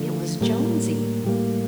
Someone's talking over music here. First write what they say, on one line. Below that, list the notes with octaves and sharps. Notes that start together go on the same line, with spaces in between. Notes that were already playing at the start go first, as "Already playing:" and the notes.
It was Jonesy.
Already playing: D3 F3 A3
A2 G3 A#3
A2 G3 A#3